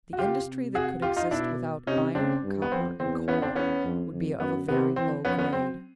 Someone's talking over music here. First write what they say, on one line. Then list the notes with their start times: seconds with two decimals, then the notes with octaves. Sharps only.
The industry that could exist without iron, copper, and coal would be of a very low grade.
0.13 F#4
0.18 C#3 F4 G4
0.46 C3
0.75 F#4 G#4
1.02 F4 G4
1.16 D#4 F4
1.30 B2 D4 E4
1.87 C3 C#4 D#4
2.15 C#3 C4 D4
2.43 G2
2.62 B3
2.71 F2 C4
2.99 E2 C4
3.28 B3 C#4
3.42 C4 D4
3.55 E2 B3 C#4
3.84 F2
4.12 F2
4.40 F#2 B3
4.68 C3 B3
4.96 E3 C4
5.25 F3 B3 C#4
5.39 B3 C#4
5.53 F#3 C4